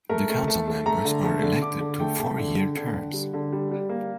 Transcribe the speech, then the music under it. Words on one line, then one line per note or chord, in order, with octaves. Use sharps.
The councilmembers are elected to four-year terms.
A3 A#4
A3
A3 A5
A3
A3 A#5
D3
A3
D3
D3 D6
D3
A3 G5
A3
D3
D3
D3
D3
G3
D3
G3
G3
A#3